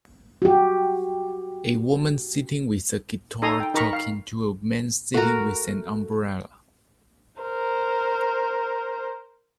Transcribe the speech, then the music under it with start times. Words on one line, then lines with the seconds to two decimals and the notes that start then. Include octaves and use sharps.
A woman sitting with a guitar talking to a man sitting with an umbrella.
0.42 F#4 G4
3.42 D#4 A4 G#5 A#5 C6 D#6
3.60 G5
3.74 D#4 A#4 A#5 B5 C#6
3.93 F5
5.14 A3 F#4 A#4
7.41 A#4 C5